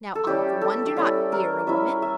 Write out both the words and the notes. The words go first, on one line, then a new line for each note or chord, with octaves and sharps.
Now I, for one, do not fear a woman.
A4
G3 C#4 E4 G4
A4
G4
G3 C#4 E4 A4
A#4
G3 C#4 E4 E5
E5